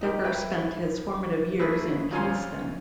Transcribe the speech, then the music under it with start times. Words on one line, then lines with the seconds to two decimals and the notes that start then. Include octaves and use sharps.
Dekker spent his formative years in Kingston.
0.01 D#4 G4 A#4
0.23 A#4 B4 E5 G5
1.59 A3 A#3 E4 G#4 A#4 B4
2.11 F2 A#2 C#4 F4 G#5 C6